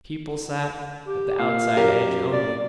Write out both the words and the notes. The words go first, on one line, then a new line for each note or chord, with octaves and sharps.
People sat at the outside edge only.
G4
A#2 F5
F#2 G4 A#4
D5